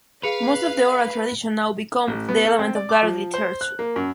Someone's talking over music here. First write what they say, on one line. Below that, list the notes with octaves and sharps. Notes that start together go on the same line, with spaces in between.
Most of the oral tradition now become the element of Garo literature.
G#4 B4 F5 C#7 F7
A1
B3
A4
C4
D5
D6
F3
C5
F#6
A#3
F#2